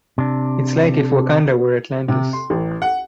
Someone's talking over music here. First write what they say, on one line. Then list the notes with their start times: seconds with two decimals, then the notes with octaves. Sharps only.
It’s like if Wakanda were Atlantis.
0.18 C3 D4
2.08 C3
2.33 C6
2.50 A1
2.82 F#5